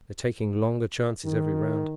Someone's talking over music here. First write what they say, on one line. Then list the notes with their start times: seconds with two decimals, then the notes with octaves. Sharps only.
They're taking longer chances every round.
1.25 D#3